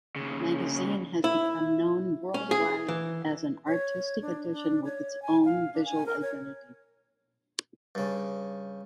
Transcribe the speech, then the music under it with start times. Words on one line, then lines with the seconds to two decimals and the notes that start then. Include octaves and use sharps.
Magazine has become known worldwide as an artistic edition with its own visual identity.
0.16 D#2 C#3
1.24 E4
2.34 C#4
2.51 G#4
2.88 E3
3.68 C#5
4.22 D4
4.51 D4
4.84 C#5
5.22 G#5
5.45 F5
5.74 D4
5.85 G#5
6.06 A#4
6.22 C#5
7.95 G2 C#3